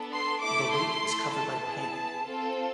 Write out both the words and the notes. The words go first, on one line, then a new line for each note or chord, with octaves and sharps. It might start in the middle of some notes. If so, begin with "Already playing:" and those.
"The Weight" was covered by Panic!
Already playing: B3 D4 A4
C6
A3 E4 A4 D6
C6
A3 E4 A4
A5
B3 E4 G#4
C4 F4 A4